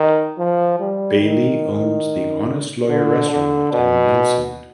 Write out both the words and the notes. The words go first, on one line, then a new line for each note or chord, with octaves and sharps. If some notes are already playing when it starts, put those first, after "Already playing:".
Baillie owns The Honest Lawyer restaurant in Nelson.
Already playing: D#3
F3
G3
D#3
D3
D3
B2